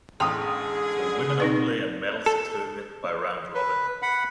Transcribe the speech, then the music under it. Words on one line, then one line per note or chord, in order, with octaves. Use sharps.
For women only and medals determined by round robin.
A1 D3 G#3 G#4 G5 C6 D#6
C4 D#4 B4
A4
B4
F#5 B5